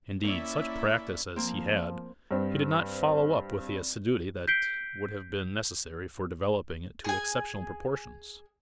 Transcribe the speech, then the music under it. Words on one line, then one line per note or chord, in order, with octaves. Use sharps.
Indeed such practice as he had he did not follow up with the assiduity that would have been necessary for developing it to exceptional proportions.
A#3 C#4 E4 D5 E5
F3 A#3 C4
G2 C4
G6 B6 C7 D7 G7
G#4 G#5